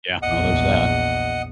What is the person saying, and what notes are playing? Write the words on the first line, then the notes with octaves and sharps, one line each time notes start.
Yeah, well, there's that.
A#1 E2 D#5 F#5